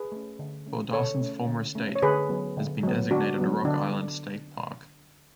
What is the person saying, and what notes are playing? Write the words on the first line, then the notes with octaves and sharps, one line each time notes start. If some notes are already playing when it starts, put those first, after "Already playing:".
Thordarson's former estate has been designated Rock Island State Park.
Already playing: G#4 B4
A3 C#4
D3
A3 C#4
D3 A4 C#5
A3 C#4
D3
A3 C#4
C#5
D3 G#4 B4
F#3 B3
D3
F#3 B3
D3 D4 F#4
F#3 B3
D3 D4